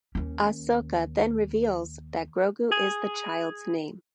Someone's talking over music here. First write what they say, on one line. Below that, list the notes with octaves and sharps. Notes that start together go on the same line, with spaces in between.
Ahsoka then reveals that Grogu is the Child’s name.
D#2 C#4
G#4